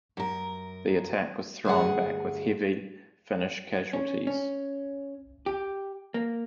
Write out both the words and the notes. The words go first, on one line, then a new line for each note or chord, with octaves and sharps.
The attack was thrown back with heavy Finnish casualties.
F#2 A#4
D2 G2 G#4 F#5
C#4
C#4
G4
A#3